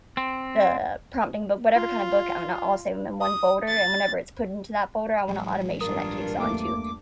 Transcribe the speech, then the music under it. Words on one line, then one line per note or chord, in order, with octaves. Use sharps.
the prompting book whatever kind of book, I'm gonna all save 'em in one folder, and whenever it's put into that folder, I want a automation that kicks on to
C4
F4
D#6
A6
A1 F#3 G#3
G2 D4 F4 A#4 D#6
E2 A3 A#3 D6